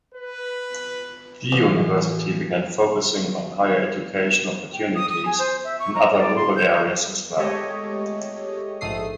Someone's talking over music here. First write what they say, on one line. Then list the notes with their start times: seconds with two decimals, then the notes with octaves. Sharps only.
The university began focusing on higher education opportunities in other rural areas as well.
0.14 B4
1.52 A1
4.74 G5
4.95 D#6
5.10 D#6
5.26 G#5
5.39 C5
5.64 E5
5.80 C#6
5.95 A#5
6.18 D5
6.36 C6
6.56 G6
7.37 G#3 A3 G4 C#5 D#5
8.81 A#1 G#2 A3 D#6 C7